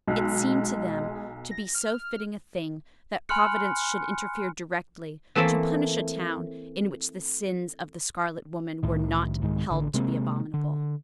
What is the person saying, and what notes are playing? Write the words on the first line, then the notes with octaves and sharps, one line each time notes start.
It seemed to them to be so fitting a thing that Providence should interfere directly to punish a town in which the sins of the scarlet woman were not held to be abominable!
B1 G#3
A#6
F6
G#5 B5 C6 F6 F#6 C#7
E3 A3 A#3 C4 A4 E5
C2 A2 D#3
C2 G#2 D#3 G#3
A1 D3
C3 G#3 A#3 C4
D3